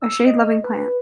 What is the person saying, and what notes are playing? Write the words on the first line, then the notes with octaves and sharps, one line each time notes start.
A shade loving plant.
E6
D#5
B4